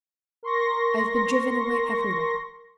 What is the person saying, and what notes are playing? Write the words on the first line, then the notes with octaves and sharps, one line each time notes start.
"I have been driven away everywhere."
A#4 C6 C#6 A#6